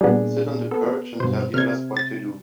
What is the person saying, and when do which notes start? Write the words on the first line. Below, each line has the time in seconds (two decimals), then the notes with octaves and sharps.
Sit on the perch and tell the others what to do.
0.01 A#2 G3 B3 D4 G#4
0.71 B3 A4
1.20 G2 B2 C5
1.54 C3 F6 G#6
1.97 A6